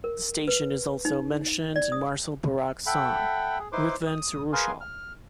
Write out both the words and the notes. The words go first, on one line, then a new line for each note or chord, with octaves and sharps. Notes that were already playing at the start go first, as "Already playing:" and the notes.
The station is also mentioned in Marcel Borrack's song "Ruthven to Rushall".
A#4
B4
D#4
D5
D#6
A4 E5 F#5 G5 B5
G#4
D#4 E4 B4 C5 C6 D6
D#6
G#4 A#4 B4 F5 G#5 C6
F6